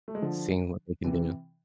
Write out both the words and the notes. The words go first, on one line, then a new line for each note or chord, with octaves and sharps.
seeing what we can do.
A3
G#3
D3 F3
C3 E3